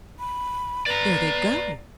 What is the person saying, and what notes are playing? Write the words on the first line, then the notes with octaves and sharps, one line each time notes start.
"There they go!"
B5
B4 D5 A#5